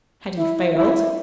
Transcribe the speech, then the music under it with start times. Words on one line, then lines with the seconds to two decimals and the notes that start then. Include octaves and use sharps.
Had he failed?
0.38 E4
0.76 E4